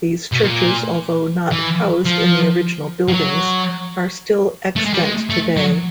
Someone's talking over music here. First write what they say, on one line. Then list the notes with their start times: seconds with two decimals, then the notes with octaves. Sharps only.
These churches, although not housed in the original buildings, are still extant today.
0.32 B2
0.43 A#2
1.51 E3
2.05 F3
3.08 F3
3.13 F#3
4.76 A3
4.85 G#3
4.94 G3
5.03 G#3
5.30 A3
5.57 F#3